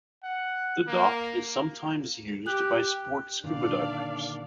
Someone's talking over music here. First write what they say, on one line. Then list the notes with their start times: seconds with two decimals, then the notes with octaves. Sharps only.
The dock is sometimes used by sport scuba divers.
0.24 F#5
0.87 A#3
2.47 G4 F#6
3.44 A#2 D3 D#3 D4 D5 F5